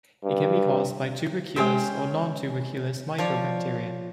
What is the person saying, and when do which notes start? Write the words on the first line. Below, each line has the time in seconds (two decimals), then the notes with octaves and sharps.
It can be caused by tuberculous or non tuberculous mycobacteria.
0.24 G2
1.56 G#3 C#4 G4 C5 G5
3.18 F3 C#5 D5